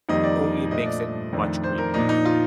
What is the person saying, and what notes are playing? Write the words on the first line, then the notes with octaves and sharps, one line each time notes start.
ooh it makes it much creamier.
F2 D#3 G3 A#3 D#5
D5
A#2 F3 A3 D4 D#5
D5
F2 D#3 A3 D4
C5
A#4
A#2 F3 A#3 D4 D#4
D#4
F4